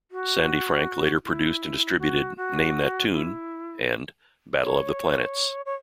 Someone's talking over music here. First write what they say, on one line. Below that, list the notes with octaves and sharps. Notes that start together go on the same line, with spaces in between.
Sandy Frank later produced and distributed "Name That Tune" and "Battle of the Planets".
F#4
E4
F#4
F#4
E4
C#5
C#5